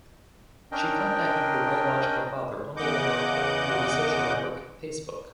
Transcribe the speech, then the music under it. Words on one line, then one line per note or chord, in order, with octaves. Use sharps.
She contacted her biological father only in adulthood via the social network Facebook.
C#4 D4 A#4 D#5 G5
E2 C#3 D#5 F#5 D6 G6